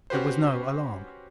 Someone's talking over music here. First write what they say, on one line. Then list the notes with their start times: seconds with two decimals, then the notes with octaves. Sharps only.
There was no alarm.
0.10 C#4 F#4 G4 B4 C5